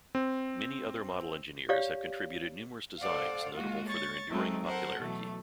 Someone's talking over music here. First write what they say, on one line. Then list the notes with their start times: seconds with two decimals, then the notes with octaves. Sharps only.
Many other model engineers have contributed numerous designs notable for their enduring popularity.
0.15 C4
1.69 G4 C#5 D5 F5
2.99 A4 C5 D5 F5 F#5
3.53 G#3 A#3 F4 F#4
3.88 C#5 C#6 A6
4.29 F#3 G#3 A3 C4 D#4
4.66 A4 A#4 C5 F#5
4.98 B2 E3 F#3 A3